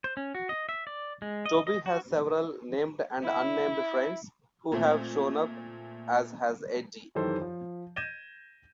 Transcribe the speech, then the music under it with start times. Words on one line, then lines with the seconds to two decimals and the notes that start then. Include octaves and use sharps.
Toby has several named and unnamed friends who've shown up, as has Eddie.
0.04 C5
0.17 C#4
0.35 F#4
0.49 D#5
0.69 E5
0.87 D5
1.22 G#3
1.46 D#5
1.67 D#5
1.86 F#4
3.24 E4
4.72 A#2 A3 C4
7.15 F#2 D#3 E3 G4 A4 C5
7.41 F3
7.96 G6 G#6 A#6 D#7 E7 G7